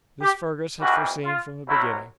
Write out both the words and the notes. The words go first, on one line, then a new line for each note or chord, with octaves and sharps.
This Fergus had foreseen from the beginning.
G4
F2 C3 E3 G3 F#4
F4
C2 B2 F#3 E4